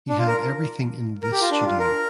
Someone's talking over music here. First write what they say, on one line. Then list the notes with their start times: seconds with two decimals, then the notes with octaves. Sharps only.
He had everything in this studio.
0.09 D4
0.18 F4
0.28 A#4
1.23 A#4
1.32 G4
1.41 F4
1.51 D4
1.65 F4
1.80 A#4